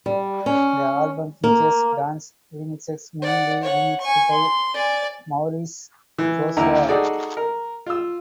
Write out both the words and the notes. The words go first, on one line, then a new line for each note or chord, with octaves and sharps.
The album features dance remixes mainly remixed by Maurice Joshua.
G3
C#4
A#3
D5 F#5
C#5 F#5
G#5 C#6
C6
D5 G#5
E3
D#2 D3 E4 A#5
D#4 F#4 G#4 A4 D5
A#4
F4 E6